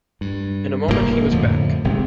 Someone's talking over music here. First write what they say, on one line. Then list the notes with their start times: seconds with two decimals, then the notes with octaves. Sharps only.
In a moment he was back.
0.21 G2
0.88 F1 G#2 B2 A#3
1.31 F2 A2 D3 F3
1.84 G#1 C3 G#3 C4